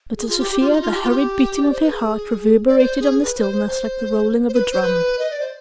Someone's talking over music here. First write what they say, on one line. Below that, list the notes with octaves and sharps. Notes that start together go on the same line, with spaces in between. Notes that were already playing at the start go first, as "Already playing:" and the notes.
But to Sofia the hurried beating of her heart reverberated on the stillness like the rolling of a drum.
G#4
F4
G4
G4
F4
D#4
F4
G4
F4
G4
D5
C5
B4
G#4
D5
C5
G#4
G#4
B4
C5
C5
C5
C5
B4
C5
B4
D#5
D5
C5